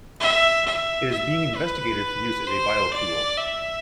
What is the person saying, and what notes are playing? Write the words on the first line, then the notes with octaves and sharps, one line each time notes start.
It is being investigated for use as a biofuel.
E5
E5
E5
B4
C5
D5
E5